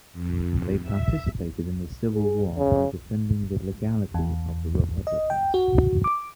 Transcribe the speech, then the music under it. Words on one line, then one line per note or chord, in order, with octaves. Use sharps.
They participated in the Civil War by defending the legality of the republicans.
F2
E5
G#4
C#3
E2
D#5
G5
F#4
D6